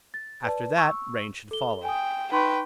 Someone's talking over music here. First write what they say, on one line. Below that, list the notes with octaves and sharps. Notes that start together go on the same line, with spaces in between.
After that rain should follow.
A6
B4 D5 A5
C#6 E6
A4 G7
G5 G#5 D#6
D#4 B4 G5 C6 C#6